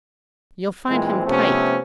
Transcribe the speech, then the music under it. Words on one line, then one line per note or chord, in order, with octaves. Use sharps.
You'll find him tight.
A#2 E3 G#3 C4
C3 F3 A3 B3 C#4